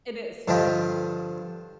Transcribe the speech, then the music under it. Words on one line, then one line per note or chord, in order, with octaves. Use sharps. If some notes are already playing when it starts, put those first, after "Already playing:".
It is.
G2 D3 F3 D#5 G5 B5